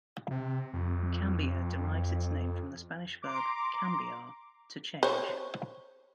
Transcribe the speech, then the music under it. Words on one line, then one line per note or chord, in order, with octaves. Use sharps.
Cambia derives its name from the Spanish verb "cambiar", to change.
C3
F2
A#5 C6 D6
C5 C#5